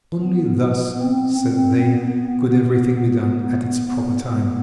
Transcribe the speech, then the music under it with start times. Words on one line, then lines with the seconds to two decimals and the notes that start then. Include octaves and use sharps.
Only thus, said they, could everything be done at its proper time.
0.23 B3
0.62 B3
1.01 C4
1.39 C4
1.78 B3
4.12 B3